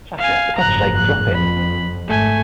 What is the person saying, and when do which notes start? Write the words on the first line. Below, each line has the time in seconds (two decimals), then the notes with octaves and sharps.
Sasha, for God's sake, drop it!
0.18 F5 G#5
0.56 F#1 G#2 F3 A#5 F#6
0.96 F#6
1.33 F2 B5
2.08 G#1 A3 G#5